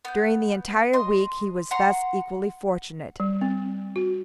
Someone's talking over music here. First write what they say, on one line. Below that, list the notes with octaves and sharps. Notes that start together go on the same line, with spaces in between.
During the entire week he was thus equally fortunate.
B3 G6
D#5 C6
F#5 A#5 C6 C#6
G3
C4
F#4